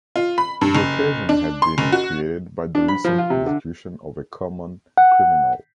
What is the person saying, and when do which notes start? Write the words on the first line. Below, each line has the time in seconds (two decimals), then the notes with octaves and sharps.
The occasion had been created by the recent execution of a common criminal.
0.16 F4
0.38 B5
0.61 G2
0.75 F#1
1.29 D4
1.62 C6
1.78 F#1
1.92 F#4
2.75 D4
2.88 B5
3.04 F3
3.18 F4
3.30 C3
3.46 D3
4.98 F#5